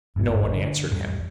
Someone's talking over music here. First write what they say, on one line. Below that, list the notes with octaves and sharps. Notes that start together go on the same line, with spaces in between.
No one answered him.
G1 E2 G#2 E3
D3
A1 F2 G3